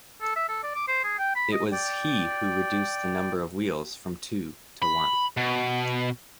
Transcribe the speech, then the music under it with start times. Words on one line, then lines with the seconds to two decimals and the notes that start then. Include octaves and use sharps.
It was he who reduced the number of wheels from two to one.
0.21 A4
0.36 E5
0.49 A4
0.63 D5
0.75 D6
0.88 C5
1.04 G#4
1.19 G5
1.35 B5
1.52 D#5
1.72 D5 G5
4.82 B5
5.37 B2